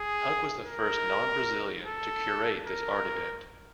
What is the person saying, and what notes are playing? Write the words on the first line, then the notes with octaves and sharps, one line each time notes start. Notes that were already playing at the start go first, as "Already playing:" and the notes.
Hug was the first non-Brazilian to curate this art event.
Already playing: G#4
A#4
A4
A#4